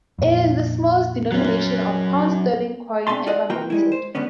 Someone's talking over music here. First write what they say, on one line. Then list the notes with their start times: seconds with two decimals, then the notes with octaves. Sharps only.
It is the smallest denomination of pound sterling coin ever minted.
0.19 F2 A#2
1.32 F#3 C#4
3.07 C4 D4 E5 G#5 A5 C6
3.27 F4 A4 D5 D#5 F#5
3.50 F2 A#3 F4 F#4 G5 A#5
3.70 G3 G#3 E4
3.92 C5
4.15 G#2 D3 B3 C#4